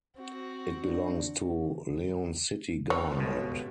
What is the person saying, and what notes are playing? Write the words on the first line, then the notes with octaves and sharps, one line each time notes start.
It belongs to León city government.
C4 F#4
D4
C4 C#5
G1 C#2 B2